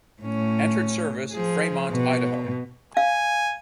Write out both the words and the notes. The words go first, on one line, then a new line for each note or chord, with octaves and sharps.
Entered service at: Fremont, Ohio.
A2 C#4
F3 G#4
B2
F5 G#5